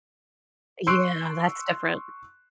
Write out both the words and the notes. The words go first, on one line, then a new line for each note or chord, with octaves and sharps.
Yeah, that's different.
C6 C#6 E6 F#6 C7 D7